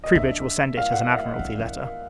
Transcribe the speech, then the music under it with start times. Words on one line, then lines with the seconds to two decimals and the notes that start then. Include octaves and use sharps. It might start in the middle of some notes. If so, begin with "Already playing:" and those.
Troubridge will send it, as an Admiralty letter.
0.04 D#5
0.15 D4 E5
0.77 F5
0.92 F#5
1.09 E5
1.24 D#5
1.39 D4
1.59 C#4